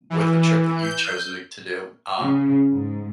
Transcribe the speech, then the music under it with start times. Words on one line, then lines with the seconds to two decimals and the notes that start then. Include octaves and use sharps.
with a trip that you've chosen, eh, to do. Um,
0.10 E3
0.83 G6
2.19 C#3
2.72 G#2